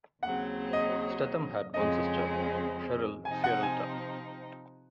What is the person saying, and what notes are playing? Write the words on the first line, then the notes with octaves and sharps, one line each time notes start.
Stethem had one sister, Sheryl Sierralta.
D#2 C#3 F#3 C4 F#5
D#5
F2 C#3 G#3 C4 D#5
C3 F3 C4 D#4 G#5
F#5
G#5